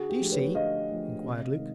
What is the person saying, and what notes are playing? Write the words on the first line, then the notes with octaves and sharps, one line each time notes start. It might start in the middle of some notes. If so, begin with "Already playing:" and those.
Do you see?' inquired Luke.
Already playing: D3 F#4 G#4
G4
F3 A3 D4
B4 C#5
D3 D#5 F5
F3 A3 D4
C3
D#3 G#3